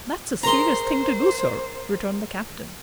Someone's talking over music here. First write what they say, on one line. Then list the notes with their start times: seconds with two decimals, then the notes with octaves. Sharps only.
"That's a serious thing to do, sir," returned the captain.
0.43 G#4 A#4 C5 C#5 A#5 C6